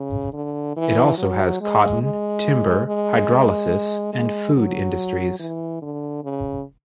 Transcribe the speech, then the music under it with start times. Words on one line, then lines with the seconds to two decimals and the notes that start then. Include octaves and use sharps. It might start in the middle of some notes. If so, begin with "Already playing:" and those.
It also has cotton, timber, hydrolysis, and food industries.
Already playing: C#3
0.33 D3
0.76 E3
1.18 F#3
1.61 G#3
2.02 G#3
2.86 G#3
4.13 G#3
4.56 F#3
5.40 E3
5.82 D3
6.24 C#3